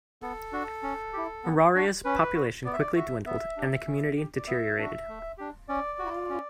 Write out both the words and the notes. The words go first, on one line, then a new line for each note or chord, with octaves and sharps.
Auraria's population quickly dwindled, and the community deteriorated.
B3 A4
D4 F#4
C#4
E4 G4
B3
D4 F#4
C#4 B4
F#4
B3 D5
E5
D5
F#4 E5
B3 E5
D4 G4
C#4
G4
D5
B3 E5
D4 F#4
A3
D4 G4
C#4 D5
F#4
C#4